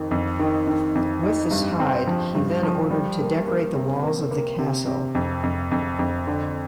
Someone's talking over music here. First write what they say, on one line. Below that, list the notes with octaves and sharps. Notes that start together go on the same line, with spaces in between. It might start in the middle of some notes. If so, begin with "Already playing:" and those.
With this hide he then ordered to decorate the walls of the castle.
Already playing: F2 D#3
F2
D#3
D#3
F2
D#4
G2
C4
F3
G2
F3
G3
A#3
A#3
C3
A#3
A#3
C3
C3
F2
F2
F2
F2
D3